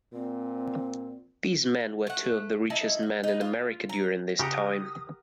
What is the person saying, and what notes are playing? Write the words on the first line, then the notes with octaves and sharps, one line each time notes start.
These men were two of the richest men in America during this time.
A#2 C4
A3 F#5
D#4 E4 A5
F#4
D#4 B4
F4
A#5
C#3 G4 A#4 F#5 D#6